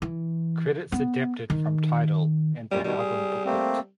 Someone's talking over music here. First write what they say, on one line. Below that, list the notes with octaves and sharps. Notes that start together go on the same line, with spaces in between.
Credits adapted from Tidal and the album booklet.
E3
B3
D#3
F#2 A#2 G3
B2 D#3 G3
G#4
A3 A#3 C4